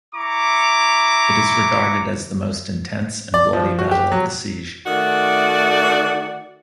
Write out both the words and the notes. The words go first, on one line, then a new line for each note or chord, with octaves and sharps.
It is regarded as the most intense and bloody battle of the siege.
E4 A#5 C#6 D6
D5
F3
F#4
G4
F#3
D#3 A3 F#4 D5